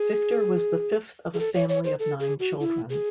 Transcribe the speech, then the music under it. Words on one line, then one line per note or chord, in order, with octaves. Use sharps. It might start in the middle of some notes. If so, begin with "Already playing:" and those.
Victor was the fifth of a family of nine children.
Already playing: G#4
G#4
A4
C#5
C#5
C5
A4
G#4
F#4
E4
G#4